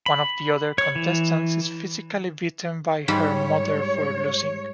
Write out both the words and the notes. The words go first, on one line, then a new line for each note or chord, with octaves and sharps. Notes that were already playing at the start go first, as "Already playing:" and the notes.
One of the other contestants is physically beaten by her mother for losing.
B5
C#5
E3
G#2 G3 C#5 B5